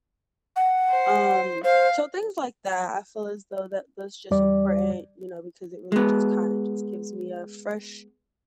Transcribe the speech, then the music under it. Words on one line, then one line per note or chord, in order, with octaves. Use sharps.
Um, so things like that, I feel as though that those just important, you know, because it really just kinda just gives me a fresh
F#5
C5
C5 F5
E2 G3 D5
G#3 B3